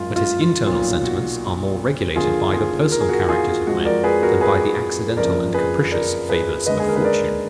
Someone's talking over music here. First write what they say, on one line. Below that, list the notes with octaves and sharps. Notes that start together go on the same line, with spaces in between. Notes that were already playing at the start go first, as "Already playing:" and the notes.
But his internal sentiments are more regulated by the personal characters of men, than by the accidental and capricious favours of fortune.
Already playing: G#1 F#2 F3 G#3 F4
F4
F4
B1 A#2 F#3 F4
F#4
D#2 D3 F3 F4 G#4
F4 G#4
A#4
G#4
F#4 A#4
F4 G#4
F2 F3 G#3 F#4
A#4 D5
G#4 B4
F#4 A#4
G#4 B4
F#1 F2 F3 A#4 D5
G#4 B4
A#4 D5
G#4 B4
D#2 D3 G#3 B4 D#5
G#4
A#4
B4
A#4 D5